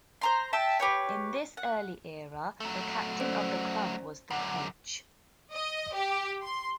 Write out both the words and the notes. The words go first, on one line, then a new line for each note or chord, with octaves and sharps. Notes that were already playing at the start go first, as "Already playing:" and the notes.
In this early era, the captain of the club was the coach.
C5 A#5 C6
E5 G5 A5
G4 B4 C#5
F#5
F#3 A3
C#4 C5 D5
F#2 D3 F#5
D#5
G4
C6